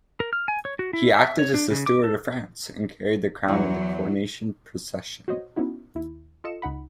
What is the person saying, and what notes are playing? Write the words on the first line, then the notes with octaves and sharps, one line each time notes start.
He acted as Steward of France, and carried the crown in the coronation procession.
A#4
F6
G#5
C#5
F#4
E4
E5
C#5
D4
C#3
D6
A4
E2 F#3
F#4 C5 C#5 D#5
B3 C#4 D#4 E4 F#4
D#2 E4
F4 A4 D#5 C#7 E7
C#2 D#4 F#5 B5